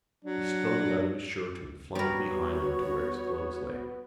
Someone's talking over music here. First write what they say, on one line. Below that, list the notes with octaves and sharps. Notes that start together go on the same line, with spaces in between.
He struggled out of his shirt and flung it behind him to where his clothes lay.
F#3 D4
G3 B3 F#4 A#4 C#5